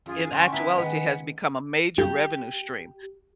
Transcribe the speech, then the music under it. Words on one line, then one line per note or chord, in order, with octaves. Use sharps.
in actuality has become a major revenue stream.
F#2 F4 G#4
D3 C#4 G4 F#5 C6 C#6
B3 E4 F4 E5 A5 A#5
D#3 G#3 B4 D#5 F#5
G4